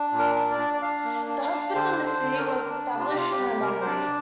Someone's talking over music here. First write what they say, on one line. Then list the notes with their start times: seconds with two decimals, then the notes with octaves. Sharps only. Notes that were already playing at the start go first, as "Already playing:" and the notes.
A hospital in the city was established in her memory.
Already playing: D4
0.12 A#2
0.19 A#4
0.35 D4
0.50 D5
0.59 D4
0.74 D5
0.82 D4 F5
1.04 A#3
1.28 D4
1.38 D5
1.44 F5
1.51 D4
1.75 D3 C5
1.99 D4
2.06 C5
2.22 D3
2.37 A#4
2.45 D4
2.69 D4
2.93 C3
3.00 F4
3.09 G4
3.15 C3 F4
3.31 G4
3.39 G3
3.62 C3 A#4
3.81 C5
3.86 D4 D5